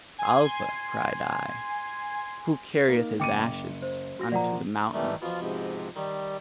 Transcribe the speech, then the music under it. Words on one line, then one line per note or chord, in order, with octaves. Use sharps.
Alpa! cried I, who carrieth his ashes unto the mountain?
G#5 C6
A#3 D#4
F#1 G5 D6 C#7 D#7
C5
F#4 A#6
A#2 F3 D5 F#5 A#5
D#3 E3 G3 A3
B2 F3 F4
G#2 C3
D#3 G3